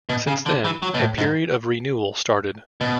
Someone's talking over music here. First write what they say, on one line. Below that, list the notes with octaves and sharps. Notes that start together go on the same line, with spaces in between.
Since then, a period of renewal started.
B2
C#3
D3
E3
F#3
B2
A2
G#2
B2